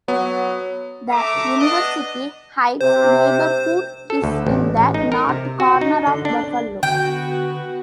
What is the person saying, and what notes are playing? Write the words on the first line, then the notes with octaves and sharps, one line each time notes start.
The University Heights neighborhood is in the north corner of Buffalo.
F#3 B3
A3 E5 A#5 D6
B3 D4 D#5
C3 C5
A4
D2
A1
A1
D#4
A#4
C3
F#4
D#4
D3
D4
D3 B3 F#4 G5